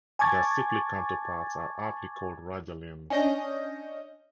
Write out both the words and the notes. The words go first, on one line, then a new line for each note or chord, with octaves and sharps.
Their cyclic counterparts are aptly called radialenes.
G#5 A5 C#6 D6 G#6 A6
C#4 D4 D#5 G6 A#6